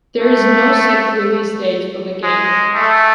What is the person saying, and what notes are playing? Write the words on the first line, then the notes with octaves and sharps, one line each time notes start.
There is no set release date for the game.
A3
G#3
A3